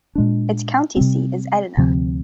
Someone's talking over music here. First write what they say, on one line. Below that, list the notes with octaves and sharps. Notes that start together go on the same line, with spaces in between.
Its county seat is Edina.
A#2 G#3 D4
C3 G3 C4
D2 C3 F3 C4